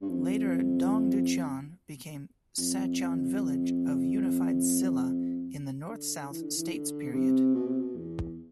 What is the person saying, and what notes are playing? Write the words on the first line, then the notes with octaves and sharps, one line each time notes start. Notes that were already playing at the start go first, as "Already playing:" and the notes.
Later Dongducheon became Sacheon village of Unified Silla in the North-South States Period.
G2
F2
F2
D3
E3
D3
E3
D3
C3
B2
C3
B2
E2